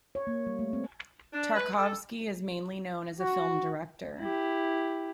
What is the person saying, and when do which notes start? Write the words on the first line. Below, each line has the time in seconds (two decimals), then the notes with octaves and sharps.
Tarkovsky is mainly known as a film director.
0.15 C#5
0.27 A#3
0.47 G3
0.59 A3
0.73 C4
1.33 D4
1.55 B4
1.77 A4
3.20 F#4
4.19 E4 G4